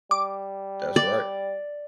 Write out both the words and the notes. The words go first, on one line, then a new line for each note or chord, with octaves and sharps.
That's right.
G3 D6
D5